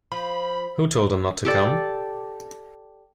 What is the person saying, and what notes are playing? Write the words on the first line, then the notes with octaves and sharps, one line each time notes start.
Who told him not to come?
F3 B5
G4 A4 D5